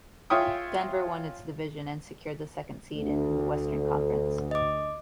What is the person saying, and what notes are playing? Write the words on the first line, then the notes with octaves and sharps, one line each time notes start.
Denver won its division and secured the second seed in the Western Conference.
F4 G#4 C#5 E5 G5 D#6
D2
D#5 D6